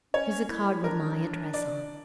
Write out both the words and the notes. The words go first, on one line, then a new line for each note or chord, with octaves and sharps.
Here's a card with my address on.
C#4 C#5
E4
D4 A#4
D5